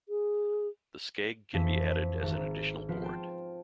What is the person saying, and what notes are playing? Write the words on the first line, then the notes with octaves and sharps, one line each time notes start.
The skeg can be added as an additional board.
G#4
F2 E3 B6
G#1 F#4 D5 A#5
F3 B3 F4 B4 C5
C5 G5 A5